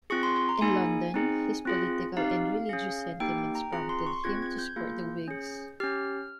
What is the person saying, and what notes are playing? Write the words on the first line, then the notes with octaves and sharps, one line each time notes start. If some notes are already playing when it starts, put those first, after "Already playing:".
In London, his political and religious sentiments prompted him to support the Whigs.
C4 F4 G#4 C#6
C6
C6
A#5
A#3 D#4 G#4 G#5
C4 D#4 G#4
C4 F4 G#4
C4 D#4 G4 F5
C#4 G#4
A#3 D#4 G4 G5
G5
A#5
C4 F4 G#4 A#5
C6
C#6
C4 F4 G#4 G#6
G#6
G6
A#3 F4 G#4
C#4 G#4
C#4 G4 F6